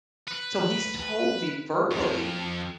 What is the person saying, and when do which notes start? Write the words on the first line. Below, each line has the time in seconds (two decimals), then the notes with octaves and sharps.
so he's told me verbally,
0.28 B4
1.91 F2